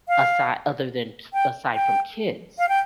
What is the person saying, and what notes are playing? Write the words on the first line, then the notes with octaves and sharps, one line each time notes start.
asi other than aside from kids.
F5
G5
G5
F5
G5